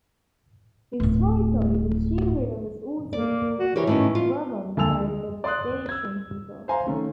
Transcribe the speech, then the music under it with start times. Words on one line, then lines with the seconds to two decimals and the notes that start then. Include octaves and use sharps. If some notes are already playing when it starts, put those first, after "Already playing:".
Historically, the Jiu River was also called Rhabon by the Dacian people.
1.00 D1 A2
3.13 A#3 D5
3.59 F#4
3.76 E3 G4 A#4 C#5
3.87 A2 D#3 C#4
4.15 F4
4.77 D2 A#3 G#5 A5 E6 F7
5.00 G#3
5.44 D5 C6 D#6 F#6
5.89 E6 G#6
6.68 C5 F5 G#5 A#5 C6
6.86 D#3 A3 C#4